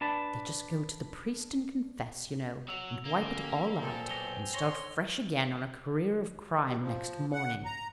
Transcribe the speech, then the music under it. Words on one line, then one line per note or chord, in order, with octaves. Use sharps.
They just go to the priest and confess, you know, and wipe it all out, and start fresh again on a career of crime next morning.
D4 B4 A5
F#3 E6 F7
D3 A#3 C#4 F7 G7
G4
A#2 A4 C5 G5 G#5
B1 A#6 F7 G7
C#5 C6 A#6
G3
F3
F#5
A#5